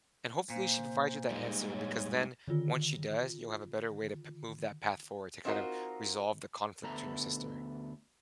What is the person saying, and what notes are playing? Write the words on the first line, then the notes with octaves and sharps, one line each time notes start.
And, hopefully, she provides you that answer because then, once she does, you'll have a better way to pe move that path forward to kind of resolve the conflict between your sister.
A#2 C5
G3 G#3 D#4
C#5
D3 D#3 F4
C4 D#4 F4 F#4 A#4
D2 B3 A4 E5 A#5